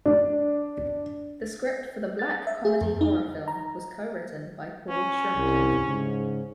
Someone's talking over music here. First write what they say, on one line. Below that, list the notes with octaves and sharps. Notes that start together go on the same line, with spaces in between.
The script for the black comedy horror film was co-written by Paul Shrimpton.
D4
A6
E5
G#4
F2
D#4
A#5
C#4
C2
G#2 C#3